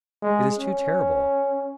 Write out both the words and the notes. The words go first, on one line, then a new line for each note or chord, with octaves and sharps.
'It is too terrible!
G#3
C#4